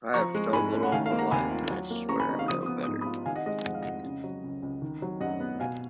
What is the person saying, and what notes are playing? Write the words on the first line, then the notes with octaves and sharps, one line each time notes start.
I have struggled all my life, and I swear I'm no better.
F3 A#5 C#6
G#3
G#2 G#5 B5
C#4
F#5
D#3 F5 G#5
F5
A#3
F#5 A#5
D#2 G#5 B5
F4
F#3
A#3
C#3 A#5 C#6
G#5 B5
D#4
F5
F3 D#6
B3 D#6
D#6
G#2
B5 D#6
F4
D#3 F5 G#5
D#5 F#5
G#3 D#5
F2 F#5
F5
F2 D#5 F#5
C#3
F#3
C#2
C#2
D#3
F#3
F#2 D#5 F#5
B3
B2 F5 G#5